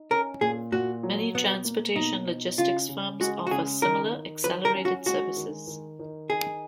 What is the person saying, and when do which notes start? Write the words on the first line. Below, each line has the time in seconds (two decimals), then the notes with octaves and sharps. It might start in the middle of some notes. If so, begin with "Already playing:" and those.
Many transportation logistics firms offer similar accelerated services.
Already playing: D#4
0.10 C#4 A#4
0.41 A#2 G#4
0.72 A#2 F#4
1.03 F#3
1.34 B2 B3
1.65 A#3
1.96 B2 D#4
2.27 D#4
2.58 C#3 F4
2.89 C#3
3.20 G#3 F#4
3.47 F#4
3.51 C#3 G#4
3.82 D#3 A#4
4.13 D#3
4.44 F#3 B4
4.65 A#4
4.74 C#4
4.85 F#4
5.06 G#3 F#4
5.37 D#3
5.67 D#3
5.99 D#3
6.30 D#4 G#4